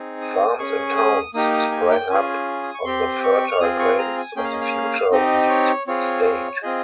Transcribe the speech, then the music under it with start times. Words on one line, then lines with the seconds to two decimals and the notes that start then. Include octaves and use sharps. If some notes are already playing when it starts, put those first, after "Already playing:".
Farms and towns sprang up on the fertile plains of the future wheat state.
Already playing: C4 D#4 G#4
0.22 D#6
0.59 C#4 G#4 C#6
0.97 D#6
1.34 A#3 D#4 G4 D#6
1.53 D#6
1.72 G#5
1.91 G5
2.10 C#4 F4 G#4 G#5
2.63 D#6
2.74 C#6
2.85 C4 G4 C6
3.23 C#6
3.51 F6
3.60 C4 F4 G#4 D#6
3.79 C#6
3.99 A#5
4.17 G#5
4.36 A#3 C#4 G#4 G5
4.44 F5
4.52 D#5
4.61 F5
5.11 C4 D#4 G4 D#5
5.49 C#5
5.87 C4 F4 G#4 C#5
6.25 C#5
6.62 C4 F4 G#4 D#5